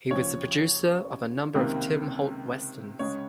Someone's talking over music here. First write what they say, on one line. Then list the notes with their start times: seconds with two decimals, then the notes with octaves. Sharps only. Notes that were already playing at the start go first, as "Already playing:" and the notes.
He was the producer of a number of Tim Holt westerns.
0.10 D#2 C#3 F3 C#5
1.54 C#2 C3 D#3 A#3
2.99 C#2 C#3 G#3 C#5